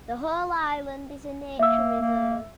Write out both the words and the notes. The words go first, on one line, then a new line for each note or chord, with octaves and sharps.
The whole island is a nature reserve.
A#3 E5 E6
A#3